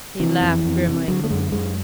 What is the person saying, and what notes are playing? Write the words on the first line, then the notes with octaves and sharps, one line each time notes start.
He laughed grimly.
C3 E3
F2
F2
C3
D3 F#3
A3
F#2 G#3
F#2 G#3